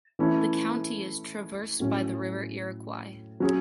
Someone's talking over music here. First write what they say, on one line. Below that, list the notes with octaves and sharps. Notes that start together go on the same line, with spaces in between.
The county is traversed by the River Iroquois.
E3 A3 C#4 E4
A2 F#3 C#4
F#3 C#4 G#4